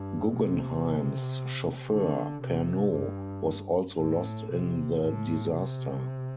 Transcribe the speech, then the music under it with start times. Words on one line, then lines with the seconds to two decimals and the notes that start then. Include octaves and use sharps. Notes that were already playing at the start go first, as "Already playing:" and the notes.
Guggenheim's chauffeur, Pernot, was also lost in the disaster.
Already playing: G2
0.35 C3
1.90 D3
2.42 C3
2.94 G2
3.98 A2
4.50 C3
5.02 A2
5.54 C3